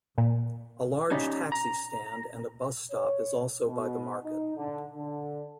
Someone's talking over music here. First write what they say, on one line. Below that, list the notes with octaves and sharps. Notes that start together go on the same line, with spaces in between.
A large taxi stand and a bus stop is also by the market.
A#2
C#4 D#4 G4
A#5
C#5
B2
D#4
D3
D3